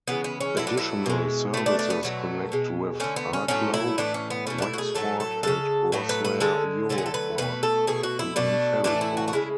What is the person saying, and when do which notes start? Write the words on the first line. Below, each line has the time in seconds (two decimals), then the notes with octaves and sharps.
Additional services connect with Arklow, Wexford and Rosslare Europort, a main ferry port.
0.08 C#3 E3 G#3 B3
0.24 B3
0.41 C#4
0.57 B2 F#3 A3 E4
0.67 D4
0.77 E4
1.06 B2 G#3
1.54 B2 A3
1.66 D4
1.79 D4
1.90 B3
2.03 B2 F#3 A3
2.52 B2 G#3
3.00 D3 A3 C#4
3.16 B3
3.33 C#4
3.48 A2 F#3 A3 C#4
3.74 E4
3.98 A2 E3 A3 D4
4.14 C#4
4.30 B3
4.47 B2 A3 C#4
4.58 D4
4.62 E4
4.74 F#4
4.78 G#4
4.94 A2 F#3 A3 A4
5.20 A4
5.43 C#3 G#3 A4
5.92 A2 F#3 A3
6.09 B4
6.25 B4
6.40 D3 G#3 A4
6.89 D3 F#3 A3 A4
6.98 G#4
7.06 A4
7.14 B4
7.38 B2 A3 B4
7.63 A4
7.87 B2 A3 G#4
8.03 F#4
8.19 E4
8.36 B2 A3 D4
8.84 A2 E3 A3 D4
9.01 E4
9.17 F#4
9.28 F#4
9.33 C#3 G#3 E4